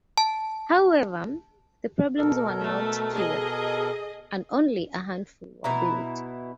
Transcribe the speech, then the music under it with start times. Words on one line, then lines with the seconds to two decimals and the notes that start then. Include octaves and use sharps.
However, the problems were not cured, and only a handful were built.
0.18 A5
2.18 B2 A4 A#4
2.61 A3
3.13 G#4 D#5
5.64 B2 E4 A#5